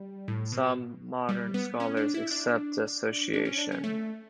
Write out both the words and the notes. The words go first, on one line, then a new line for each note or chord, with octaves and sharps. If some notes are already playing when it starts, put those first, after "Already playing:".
Some modern scholars accept the association.
Already playing: G3
A2
B2
G3
B3
C#4
D4
E4
D4
D4
C#4
D4
C#4
A3